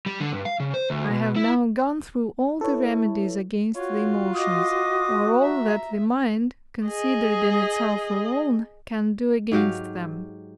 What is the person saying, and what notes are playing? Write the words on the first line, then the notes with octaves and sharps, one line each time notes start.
I have now gone through all the remedies against the emotions, or all that the mind, considered in itself alone, can do against them.
G3
D3
G2
F5
C#3
C5
D2
B2
E4
E4 A4 B4 C#5
F4 F#4 C#5
D#5 C6 D6 D#6
E5 A#5
G#4 D#5
G#2 F#3 G4 F5